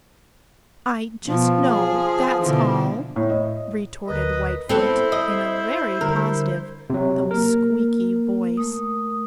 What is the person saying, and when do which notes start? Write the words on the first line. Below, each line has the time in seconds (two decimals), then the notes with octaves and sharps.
"I just know, that's all," retorted Whitefoot in a very positive though squeaky voice.
1.26 B2 F3
1.66 G#4
2.42 B2 D3 E3
3.16 A2
3.30 D#5
4.08 D2 A#4 B4 D#5
4.69 B3 C4 E4 A4 B4 C5 D5
5.12 D#5 E5
6.01 D3 G3 A#4
6.90 C3 F#3
7.31 A#3 A#4
8.57 A3 D#6